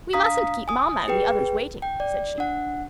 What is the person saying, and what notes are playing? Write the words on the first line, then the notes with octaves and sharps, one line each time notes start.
"We mustn't keep mamma and the others waiting," said she.
D4 F5 A#5 D#6 B6
G#5 D#6
G#4 B4 G5
G5
D5
D4 F#5